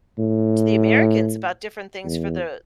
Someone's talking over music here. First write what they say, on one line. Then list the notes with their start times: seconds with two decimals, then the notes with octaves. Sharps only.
to the Americans about different things for the
0.19 A2
2.05 E2